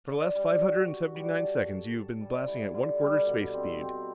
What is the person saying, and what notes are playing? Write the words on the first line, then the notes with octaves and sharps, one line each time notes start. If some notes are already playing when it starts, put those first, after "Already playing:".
For the last five hundred and seventy-nine seconds you have been blasting at one-quarter space speed.
D4
G3
F#4
F#4
G3
A4
A4
A4
G3
E4
D3
G3
B2
C4
C4